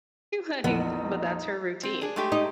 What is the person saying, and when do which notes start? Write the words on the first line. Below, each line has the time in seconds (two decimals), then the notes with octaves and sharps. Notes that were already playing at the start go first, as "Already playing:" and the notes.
Like" but that's her routine.
0.64 A#1 F2 E3 B3 D#4
1.83 C4
2.01 D4 G#4
2.16 G#3 A3 G4
2.32 D#4